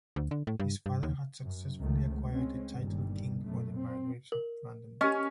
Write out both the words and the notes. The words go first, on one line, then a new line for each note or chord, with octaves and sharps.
His father had successfully acquired the title King for the margraves of Brandenburg.
D2
D3
A2
G2
G2
D#2
F#2
C#2 D#3 A3
G#3 C4 C#4
G1 D#2 A#2 G3
F#2 B2 A3
C4
A#4
C#4 G4 D#5